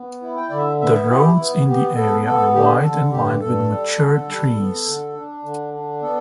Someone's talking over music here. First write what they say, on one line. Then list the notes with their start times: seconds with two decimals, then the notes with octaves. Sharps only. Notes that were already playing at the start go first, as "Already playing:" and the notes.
The roads in the area are wide and lined with mature trees.
Already playing: B3
0.22 E4
0.36 G5
0.50 D3 D5
0.58 E5
0.80 B3 E5
1.09 E4 G4
1.38 B3
1.67 B3 G4
1.96 B3 A4
2.25 B3 A4
2.54 D3 G4
2.83 D3 A4
3.12 G2 G4
3.40 G2 A4
3.70 G3
3.99 D3
4.28 G3
4.57 B3
4.86 D3
5.15 D4
5.44 D3
5.74 D4
6.02 B3 A4